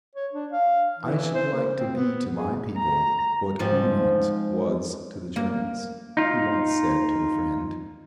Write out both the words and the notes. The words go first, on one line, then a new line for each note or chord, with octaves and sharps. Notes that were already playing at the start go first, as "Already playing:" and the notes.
"I should like to be to my people what Uhland was to the Germans," he once said to a friend.
C#5
D4
F5
E3
C5
A#3
C4
B3
G#4
A#5
G#2 F3 C4
A#3
D#4 F4